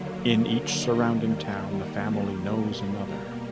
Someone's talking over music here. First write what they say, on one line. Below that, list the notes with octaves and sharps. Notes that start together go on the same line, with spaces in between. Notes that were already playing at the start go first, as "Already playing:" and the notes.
In each surrounding town, the family knows another.
Already playing: D#2 D3 F#3 A#3
D#5
D#2 D#3 G3 A#3
E5
F#5
A5
B2 G3 A#3 A#5
B5
A#5